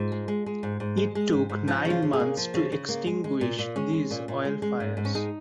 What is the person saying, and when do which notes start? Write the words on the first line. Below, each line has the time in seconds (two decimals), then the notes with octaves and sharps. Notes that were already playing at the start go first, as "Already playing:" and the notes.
It took nine months to extinguish these oil fires.
Already playing: G#2 F4
0.12 G#3
0.28 G#3
0.46 G#3
0.63 G#2
0.80 G#2
0.97 G#3
1.15 G#3
1.33 G#2
1.49 G#2
1.68 F3 D#4
1.85 C#3
1.90 F4
2.02 C#3
2.13 G#4
2.20 A#3
2.37 F3
2.54 C#3
2.72 C#3
2.89 A#3
3.07 G#3
3.24 G#3
3.41 A#2
3.59 A#2
3.76 G#3 C#4
3.93 G#3
4.11 A#2
4.28 A#2
4.45 G#3
4.62 G#3
4.80 G#2
4.97 G#2
5.05 C#4
5.15 G#3 D#4